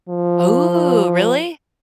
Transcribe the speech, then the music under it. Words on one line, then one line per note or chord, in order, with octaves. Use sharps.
Ooh, really?
F3